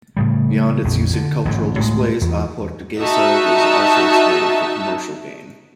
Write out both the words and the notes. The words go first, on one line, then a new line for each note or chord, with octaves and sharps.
Beyond its use in cultural displays, "A Portuguesa" was also exploited for commercial gain.
A2 C#3 G3
A#1 F2 D3
D3
A1 G#2 B2 D3
D2 A2 E3 G#3
E2
D#4 F#4 E5 A5